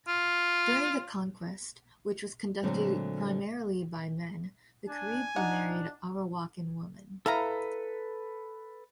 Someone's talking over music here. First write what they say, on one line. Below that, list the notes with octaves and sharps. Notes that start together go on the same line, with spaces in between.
During the conquest, which was conducted primarily by men, the Carib married Arawakan women.
F4
A#2 D3 F#3 G#3 A3 C4
D4 G#5
D4 D#4 F#5
E4 A4 B4 F5 A#5